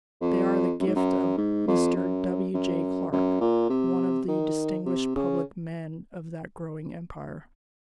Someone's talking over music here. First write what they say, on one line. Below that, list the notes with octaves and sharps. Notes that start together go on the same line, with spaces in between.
They are the gift of Mr. W. J. Clark, one of the distinguished public men of that growing empire.
F2
F#2
G#2
F#2
G#2
F2
F#2
F#2
F#2
A#2
C3
D#3
C3
C#3